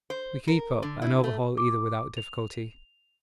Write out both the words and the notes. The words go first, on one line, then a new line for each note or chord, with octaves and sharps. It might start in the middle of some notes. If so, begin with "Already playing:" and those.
We keep up and overhaul either without difficulty.
C5
A#4
D3
E4
A3
D6
F7